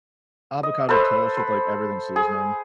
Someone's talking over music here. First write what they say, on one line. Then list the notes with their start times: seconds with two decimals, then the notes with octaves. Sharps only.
avocado toast with, like, everything seasoning.
0.63 D#5
0.89 A4 B4 C5 E5
1.37 C5 B5
2.16 G#4